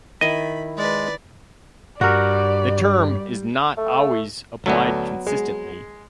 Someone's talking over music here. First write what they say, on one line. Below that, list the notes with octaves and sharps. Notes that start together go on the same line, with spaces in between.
The term is not always applied consistently.
D#3 E4 D#5 B5
G#3 B4 D5
G2 G3 F#4 A#4 D5
A3
D2 F#3 A3 B3
G#3